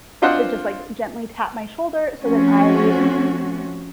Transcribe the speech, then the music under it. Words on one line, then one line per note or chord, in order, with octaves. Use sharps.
to just, like, gently tap my shoulder so that I
C4 D4 F4 C5 D#5 F#5
F3 A3 C4 C#4 F#4